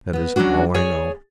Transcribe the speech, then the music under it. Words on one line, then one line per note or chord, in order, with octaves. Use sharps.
That is all I know.
B3 D#5
F#3 G3 C#4 D4 F#4
G#4 C#5 D5 G#5